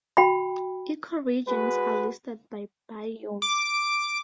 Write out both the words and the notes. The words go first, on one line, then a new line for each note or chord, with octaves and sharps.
Ecoregions are listed by biome.
F#4 G5 B5
G#3 F#4 B4
D6